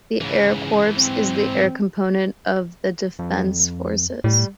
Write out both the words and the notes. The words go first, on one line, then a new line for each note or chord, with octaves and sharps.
The Air Corps is the air component of the Defence Forces.
G#2 C#3 E3
C4
F2
A2 G3